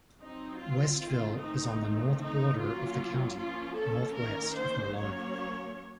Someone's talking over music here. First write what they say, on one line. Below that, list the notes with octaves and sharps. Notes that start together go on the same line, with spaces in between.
Westville is on the north border of the county, northwest of Malone.
F#3 C4 D#4
F4
D#3 A3 C4 F4
D#4
D#3 A3 C4
D#4
F#3 A#3 C#4 F4
F3 A#3 C#4 F4
A4
D#3 A#3 C#4 A#4
C5
F#3 A#3 C#4 C#5